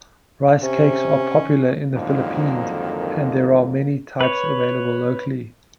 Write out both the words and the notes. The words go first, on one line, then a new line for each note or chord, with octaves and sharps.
Rice cakes are popular in the Philippines, and there are many types available locally.
C3 C#4
F2 G#2 D3 D#3 F#3 A#3
B4 C#5